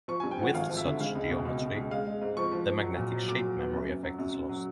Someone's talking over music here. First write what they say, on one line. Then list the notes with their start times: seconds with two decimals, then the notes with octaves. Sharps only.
With such geometry the magnetic shape memory effect is lost.
0.08 F3 C#6
0.20 G2 G#5
0.31 G5
0.39 F3 F#5
0.54 G#1 F5
0.69 F3
0.77 E5
0.85 D3
0.99 G#3 F5
1.15 C#2
1.30 B2
1.45 C#2
1.60 B2
1.76 C#2
1.91 G#3 F5
2.07 G#3
2.21 G#2
2.37 F3 C#6
2.52 F3
2.67 F3
2.82 F#3
2.97 A#2
3.12 F#3
3.28 F#3 D6
3.43 F#3
3.59 B3
3.74 F#2
3.89 F#2
4.03 F#3
4.19 F#2
4.34 F#2
4.49 F#3